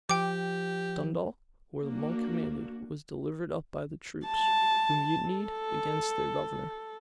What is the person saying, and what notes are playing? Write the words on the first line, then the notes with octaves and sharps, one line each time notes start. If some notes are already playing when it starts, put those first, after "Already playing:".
Dundalk, where Monk commanded, was delivered up by the troops, who mutinied against their governor.
F3 G4 G5 D6
A#3 D4 F#4
A5
A4